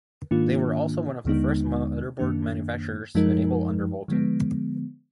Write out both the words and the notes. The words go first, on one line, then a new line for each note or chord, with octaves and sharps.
They were also one of the first motherboard manufacturers to enable undervolting.
G#2 D#3 A#3 D4 F4
D#2 D3 G#3 B3 D#4
F#2 D#3 A#3 D4
F#2 F3 G#3 D#4 A#4
D3 F3 G#3 B3